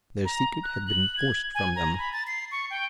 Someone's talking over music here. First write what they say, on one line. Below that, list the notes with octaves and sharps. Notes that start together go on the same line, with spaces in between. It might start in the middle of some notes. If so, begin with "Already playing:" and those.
Their secret had been forced from them.
A#5
F#6
F#7
G#6
G#5
A#5
B5
A6
C7
C#6
G5